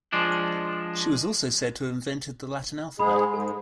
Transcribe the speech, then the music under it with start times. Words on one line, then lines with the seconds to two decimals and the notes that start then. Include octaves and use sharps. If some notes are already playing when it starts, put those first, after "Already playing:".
She was also said to have invented the Latin alphabet.
0.13 F3 G#3 D4
2.99 G#2 G#3 G#4 B5
3.34 G#2 A4